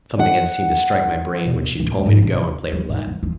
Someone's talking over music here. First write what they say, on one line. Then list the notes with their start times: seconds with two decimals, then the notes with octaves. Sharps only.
Something had seemed to strike my brain when she told me to go and play roulette.
0.19 F#5
1.45 B2
1.63 E3
1.80 D1
1.94 G#3
2.06 G#2
2.22 C2
2.35 D3
2.72 F#3
2.89 G#2
3.07 F3
3.23 F4